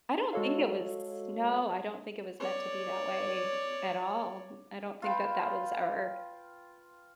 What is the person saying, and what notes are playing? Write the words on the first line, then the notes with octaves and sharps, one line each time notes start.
I don't think it was no, I don't think it was meant to be that way at all, m I don't think that that was our
G#3 F#4 A4 C#5 F5
C#5 D5
F4 B4 G5